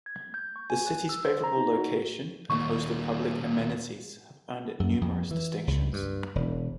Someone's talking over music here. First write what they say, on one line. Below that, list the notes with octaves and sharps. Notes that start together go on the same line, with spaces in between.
The city's favorable location and host of public amenities have earned it numerous distinctions.
G#6
G6
C#6
G#5
F#6
E6
C5
A#5
D#4
F#4
D#2 A#2 C#6
F#2
F2
E3
C#2
G2
E1